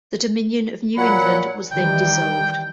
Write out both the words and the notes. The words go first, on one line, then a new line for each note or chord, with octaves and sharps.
The Dominion of New England was then dissolved.
A#2 F#3 F#5 B5
D#3 E3 G3 G5